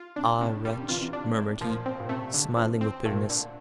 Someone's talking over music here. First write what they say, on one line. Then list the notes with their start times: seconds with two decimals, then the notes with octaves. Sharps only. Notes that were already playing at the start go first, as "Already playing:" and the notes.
"Ah! wretch!" murmured he, smiling with bitterness.
Already playing: F4
0.16 C3 D4
0.40 A2 C3
0.65 A#2 G3
0.77 C3
0.83 D3
0.88 C3 E3 F4
1.01 C3 E3
1.13 D4
1.37 A2
1.61 A#2 F3
1.86 C4
2.00 A#2
2.09 C3 A3
2.34 D3
2.57 F3
2.81 C4
3.05 A#2 A3
3.30 D3